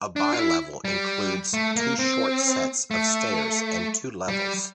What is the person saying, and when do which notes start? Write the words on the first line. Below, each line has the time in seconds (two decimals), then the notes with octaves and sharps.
A bi-level includes two short sets of stairs and two levels.
0.16 D4
0.33 F4
0.39 E4
0.85 G3
1.54 A3
1.76 A#3
1.99 C4
2.91 A3
4.28 G3